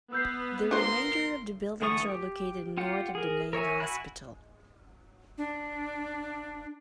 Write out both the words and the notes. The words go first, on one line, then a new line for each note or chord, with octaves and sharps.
The remainder of the buildings are located north of the main hospital.
B3 E6 G6 C7
D4 F4 A#4 C5 C6
D3 E3 A3 C#6 D#6
G4
F4 G4 F#5
G#4 A#4
A#4 C#5 E5 G#5
E4 F#4 G#5 B5 F#6
D4